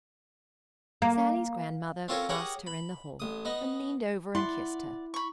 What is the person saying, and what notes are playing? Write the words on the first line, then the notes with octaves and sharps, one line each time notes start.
Sallie's grandmother passed her in the hall and leaned over and kissed her.
A#3
C4 C#4 F4 A4 A#4 C#5
G4 G#4 A#4 C#5 F#5 G5
B5
A1 D#6
B3 D#4
E4 D5 F#5 C6
B5 C#6